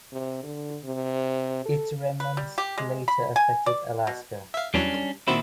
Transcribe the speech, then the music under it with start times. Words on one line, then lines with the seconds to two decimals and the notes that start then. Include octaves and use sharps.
Its remnants later affected Alaska.
0.12 C3
0.44 D3
0.84 C3
1.65 A4
2.20 B4
2.37 G3
2.58 G4
2.78 G#3
3.08 B5
3.36 G#5
3.66 D5
4.07 B2
4.54 E5 F5
4.74 E2 E3 F#3 G3 C#4 D4
5.28 A#2 D#3 C4 E4 F#4 C5